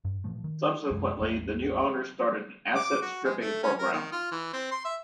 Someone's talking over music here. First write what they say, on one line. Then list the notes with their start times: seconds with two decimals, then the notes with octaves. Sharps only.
Subsequently the new owners started an asset-stripping programme.
0.05 G2
0.24 A#2 E3 F3 A3
0.44 D#3
0.90 C2 F#2 E3 G#3
1.19 A1 E2 A#3
2.76 D6
3.02 F#4
3.25 G#3
3.40 A3
3.63 C#4
3.79 A#4
3.92 D#3
4.12 F4
4.32 E3
4.53 C4
4.71 C6
4.85 E5